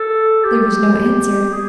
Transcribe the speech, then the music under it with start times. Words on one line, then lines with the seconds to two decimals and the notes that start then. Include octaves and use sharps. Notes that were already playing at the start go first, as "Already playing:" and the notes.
There was no answer.
Already playing: A4
0.44 G4
1.53 G#4